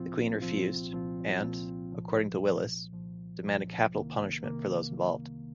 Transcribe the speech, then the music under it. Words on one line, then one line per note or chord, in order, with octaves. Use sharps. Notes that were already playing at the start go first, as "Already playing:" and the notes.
The Queen refused, and, according to Willis, demanded capital punishment for those involved.
Already playing: C2 A#2 F3 C4 F4
C2 A#2 F3 C4 F4
C2 A#2 F3 C4 F4
C2 A#2 F3 C4 F4
C2 A#2 F3
C2 A#2 F3
C2 A#2 F3
C2 A#2 F3
C2 C3 D#3 A#3
C2 C3 D#3 A#3